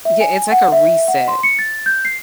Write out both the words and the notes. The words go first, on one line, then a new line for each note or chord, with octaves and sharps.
Yeah, it's like a reset,
E5
G#5
F#5
E5
E5
F#5
C6
C#7
A6
G6
C7